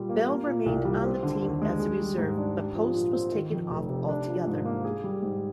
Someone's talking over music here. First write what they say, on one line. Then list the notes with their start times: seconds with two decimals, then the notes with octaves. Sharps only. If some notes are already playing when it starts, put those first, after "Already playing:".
Bell remained on the team as a reserve, but Post was taken off altogether.
Already playing: A#2 G3 F4
0.09 A#3
0.28 A#3
0.46 A#2
0.66 C2
0.85 G3
1.04 C4
1.23 D3
1.42 D#2
1.62 G#3
1.80 G#4
1.99 G3
2.18 G#2
2.38 D4
2.56 G4
2.75 F3
2.95 A#2
3.13 C4
3.32 D#3
3.51 F2
3.71 F1
3.89 C3
4.09 D4
4.28 F3
4.47 G#2
4.65 A#3
4.85 G#4
5.04 G3
5.22 G#2